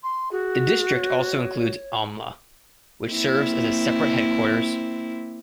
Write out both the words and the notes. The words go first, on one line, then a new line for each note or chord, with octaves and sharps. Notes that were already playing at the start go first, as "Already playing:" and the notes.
The district also includes Amla, which serves as a separate headquarters.
C6
F#4 G#4
C#5
A#3 C4 E4